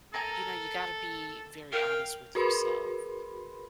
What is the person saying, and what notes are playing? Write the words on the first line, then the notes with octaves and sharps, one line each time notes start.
you know, you gotta be very honest with yourself.
A4 A#4 G#5 A#5
A#4 F5 G5
F#4 G#4 A#4 B4 B5 C6